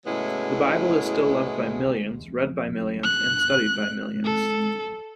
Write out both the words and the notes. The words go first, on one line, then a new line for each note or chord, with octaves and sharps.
The Bible is still loved by millions, read by millions, and studied by millions.
A2 C#3 F#3 G#3 B3 E4
F#6
A4